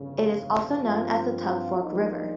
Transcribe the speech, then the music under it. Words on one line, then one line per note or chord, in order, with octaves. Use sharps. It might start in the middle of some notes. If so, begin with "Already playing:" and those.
It is also known as the Tug Fork River.
Already playing: G1 F2 C#3
G2 F3 C4 F4
A#1 A#2 F3 A#3 D#4